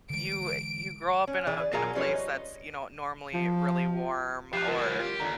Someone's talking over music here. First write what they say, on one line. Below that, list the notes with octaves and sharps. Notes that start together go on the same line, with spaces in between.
you, uh you grow up in a in a place that's, you know, normally really warm, or,
D3 E3 G#3 D7
C#4
E3 G#4 D5
B2 F#3 F4 G#4 A#4 A#5
F3 G3 C#4 F4 B4 C#5
D#5
F3
F3 G4 F#6 C7
C#2 E3 F4 A#4
F#3
F4 G4
D#2 D3 A#5